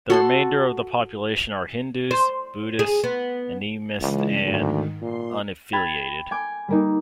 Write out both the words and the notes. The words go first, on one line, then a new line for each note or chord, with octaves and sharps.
The remainder of the population are Hindus, Buddhists, animists, and unaffiliated.
F#4 A4 C6
C5
G#4
B3
C#2 C#3 E3 G#3
D2 G#2 D#3
A#2 C6
G5 B5 G#6 A6 D#7
G#5 D6 G6
G3 A#3 D#4